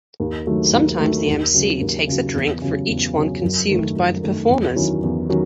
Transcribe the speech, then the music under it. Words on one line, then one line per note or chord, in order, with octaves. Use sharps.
Sometimes the emcee takes a drink for each one consumed by the performers.
D#2
D#3 F#3 A3
D#2
D#3 F#3 A3
D#2
C#3 F#3
D#2
C#3 F#3
E2
C#3 F#3
E2
C#3 F#3
F#2
D#3 A3
F#2
D#3 A3
E2
D#3 F#3 C#4 E4
E2
D#3 F#3 C#4